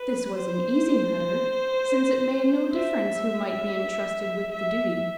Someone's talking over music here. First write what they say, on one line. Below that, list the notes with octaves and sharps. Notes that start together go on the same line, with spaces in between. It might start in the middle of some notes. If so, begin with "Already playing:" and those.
This was an easy matter, since it made no difference who might be entrusted with the duty.
Already playing: B4
C5
E5
E5